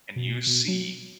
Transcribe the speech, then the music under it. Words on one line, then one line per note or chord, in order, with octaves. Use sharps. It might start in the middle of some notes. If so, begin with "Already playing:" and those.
and you see,
B2
B2
F#3